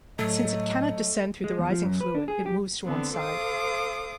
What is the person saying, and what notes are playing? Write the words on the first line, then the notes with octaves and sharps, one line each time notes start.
Since it cannot descend through the rising fluid, it moves to one side.
A2 F#3 A3 D#5
G#3
E2
F3
F#2
B4
D4
G#4
G4
D3 B3 C4
A4 C5 F5 D6 D#6